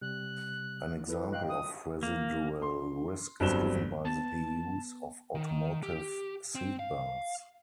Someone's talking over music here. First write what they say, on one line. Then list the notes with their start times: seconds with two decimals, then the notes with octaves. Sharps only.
An example of residual risk is given by the use of automotive seat-belts.
0.02 C3 G3 F#6
1.08 E4 A4 B4
1.32 D#5 F5 G5 F#6
1.49 D#6
2.03 A#3
2.62 C6
3.40 G1 G2 F#3 C4 E7 G7
4.05 B3 A5
5.35 D#3
5.83 G4
6.55 C4
6.79 F5